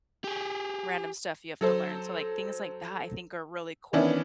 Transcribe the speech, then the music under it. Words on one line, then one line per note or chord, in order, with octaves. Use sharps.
random stuff you have to learn, so, like, things like that, I think are really cool.
G4 G#4
F#3 A4 C5
D#3 E3 B3 C#4 D4 E4